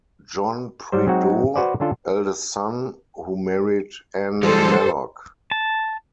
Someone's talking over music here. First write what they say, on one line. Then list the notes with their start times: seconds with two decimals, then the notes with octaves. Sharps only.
John Prideaux, eldest son, who married Anne Mallock.
0.92 G#2 F#3 G3 G4 C5
1.07 F#3 G#3 C4 D#4 F#4
1.56 F#4 B4 C5 D5
1.80 D3 C#4 D4 F4 A4
4.43 E3 G3 G#3 A4 C5
5.51 A5